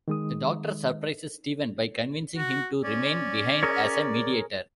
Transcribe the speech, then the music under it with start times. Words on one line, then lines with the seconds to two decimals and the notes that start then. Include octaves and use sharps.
The Doctor surprises Steven by convincing him to remain behind as a mediator.
0.08 D#3 G#3 D#6
2.36 F#4
2.83 C#4 D5
3.63 G#4 A#4 C#5